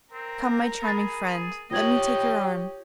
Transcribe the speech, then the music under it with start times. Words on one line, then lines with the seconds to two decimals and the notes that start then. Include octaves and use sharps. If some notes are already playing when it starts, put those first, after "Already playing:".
Come, my charming friend, let me take your arm.
0.13 C4 A#4
0.84 G#4 B5 A6
1.71 F4 G4 C#5 D#5 G5 G#6 F#7